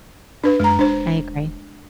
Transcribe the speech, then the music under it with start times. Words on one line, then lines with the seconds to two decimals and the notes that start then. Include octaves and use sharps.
I agree.
0.44 D4 B4
0.60 F#2 G#3 A#5
0.79 E1 D4 C5